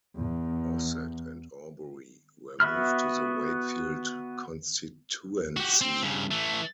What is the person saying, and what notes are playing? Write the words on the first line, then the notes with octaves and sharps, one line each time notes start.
Ossett and Horbury were moved to the Wakefield constituency.
E2
B3 F#4 E5 B5 F6
F#4 G4
C4
G2 C#3
E3 A3